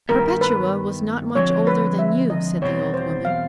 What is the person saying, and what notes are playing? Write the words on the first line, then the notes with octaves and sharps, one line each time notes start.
"Perpetua was not much older than you," said the old woman.
G2 D#3 G3 B3 A#4
B4
D3 F3 G#3 C4 C#5
B4
E5
D#5
E2 B2 G3 C4 C#5
C5
F5